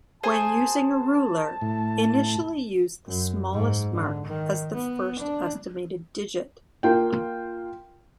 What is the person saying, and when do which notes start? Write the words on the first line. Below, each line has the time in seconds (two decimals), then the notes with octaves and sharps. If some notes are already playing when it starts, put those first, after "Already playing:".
When using a ruler, initially use the smallest mark as the first estimated digit.
0.23 G#4 C5 G#5 A5
1.61 A2
3.06 F#2
3.53 G#2
3.93 D3
4.26 D#3
4.74 B3
5.19 D4
6.83 A#3 F4 G5